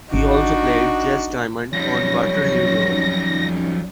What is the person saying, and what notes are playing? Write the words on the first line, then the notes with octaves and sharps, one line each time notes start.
He also played Jez Diamond on Waterloo Road.
G#1 D4 D#4 F#4
F2 F#3 G3 C#4 D#4 C#5 A#6